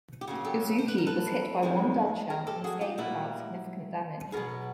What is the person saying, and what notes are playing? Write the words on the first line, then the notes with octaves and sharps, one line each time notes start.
"Uzuki" was hit by one dud shell and escaped without significant damage.
G4
C#3 F#3 A#3 F#4 G#4
G4 A4
C5
B4
A#4
A4 B4
F#2 D#3 G#3 C4
G#4 A#4
G4 A4
F#4 G#4
F4 G4
A#2 G3 A#3 E4 F#4
B2 F#3 B3 G#4 A#4